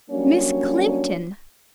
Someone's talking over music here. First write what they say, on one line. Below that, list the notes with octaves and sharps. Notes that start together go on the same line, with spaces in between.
Miss Clinton!
F#3 G3 A#3 C#4 D4 C#5